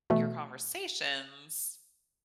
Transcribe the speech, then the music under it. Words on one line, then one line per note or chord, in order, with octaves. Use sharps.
your conversations
B2 E3 A3